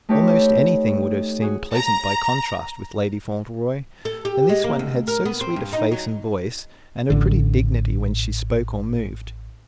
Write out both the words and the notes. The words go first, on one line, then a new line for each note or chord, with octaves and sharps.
Almost anything would have seemed pleasant by contrast with Lady Fauntleroy; and this one had so sweet a face and voice, and a pretty dignity when she spoke or moved.
A3 D#4 G4 B4 C#5
F#4 G#4
A#5
A4
G4
G#3
A#3
D2
A#4
B3
C4
G2
D#4
F#3
A1 D3